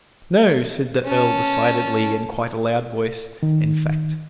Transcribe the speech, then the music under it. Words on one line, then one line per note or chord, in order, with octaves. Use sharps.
"NO!" said the Earl decidedly--in quite a loud voice, in fact.
C#4 A5
D#3